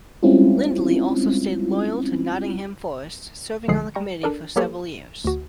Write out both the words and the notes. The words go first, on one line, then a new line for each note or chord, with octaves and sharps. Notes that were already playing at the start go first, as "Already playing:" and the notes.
Lindley also stayed loyal to Nottingham Forest, serving on the committee for several years.
G3 G#3 C4 C#4 E4 F4
B1 D3 F3 G#3 G#4 C7
G3 G5 A#5 C#6
D4 A4 A#4 D5
F#3 A#3 G4 A4 B4 C#5
D2 F#4